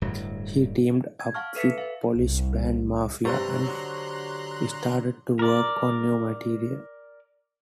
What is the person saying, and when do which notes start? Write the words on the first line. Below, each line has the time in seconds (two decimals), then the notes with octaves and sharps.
She teamed up with Polish band Mafia and started to work on new material.
0.02 D1 G2 F#3
1.20 G#6
1.34 F5 F#5 A5 C#6 F6
1.55 A4 B4 E5 B6 C#7
1.78 B4 E5 F5
2.12 C2
3.25 G2 C3 G4 C5 A#5 C6 C#6 F#6
3.64 D3 F#3
5.39 A#4 D5